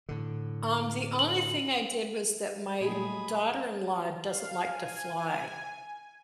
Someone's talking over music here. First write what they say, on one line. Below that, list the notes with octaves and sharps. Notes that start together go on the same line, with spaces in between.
Um, the only thing I did was that my daughter-in-law doesn't like to fly.
A2 D3
F#7
A#2 F#3 G3 A3 G#4 D#5 B5 D#6
F5
G#5